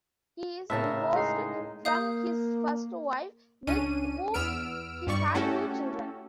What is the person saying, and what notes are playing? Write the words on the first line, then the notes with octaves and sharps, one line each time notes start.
He is divorced from his first wife, with whom he had two children.
A2 C#3 A#4 E5 A5
G#3 D#4 C7
A#3 F5 D#6 G6
C#2 C#4 D4 D#7
E2 B3 E6 F6 D7
G2 G3 D5 C#6
A3 C#4 E4 F#4 G4 A4